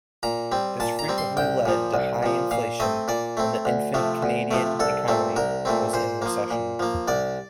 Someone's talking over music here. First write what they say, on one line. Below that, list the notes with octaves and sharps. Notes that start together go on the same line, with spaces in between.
This frequently led to high inflation when the infant Canadian economy was in recession.
A#2 A#5
G3 C4
A#2 A5
A#5
G3 C4
C6
C2 G5
A#2 F3
C2
A#2 F3
A#2 F5
A3 C4 D#5
A#2 D5
A3 C4
D2
C3 F3 A3
D2
C3 F3 A3
C2 A4
A#2 A3 C4
C2 A#4
A#2 A3 C4
A#2 C5
F3 A#3
A#2
F3 A#3
C2 D5